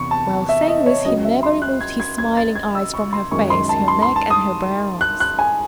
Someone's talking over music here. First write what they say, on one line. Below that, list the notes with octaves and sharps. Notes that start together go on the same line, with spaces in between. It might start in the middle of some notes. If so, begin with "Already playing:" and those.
While saying this he never removed his smiling eyes from her face, her neck, and her bare arms.
Already playing: E2 C3 C#6
A5
E5
D#5
C#5
C#2 C#3 F#3 D#5
E5
C6
F#6
G#6
G#6
G#6
A6
G#6
E6
C#6
C6
F#2 D#3 G#3 D#4 C#6
C6
A5
C6
C6
A5
D#6
F#6
F#6
G#5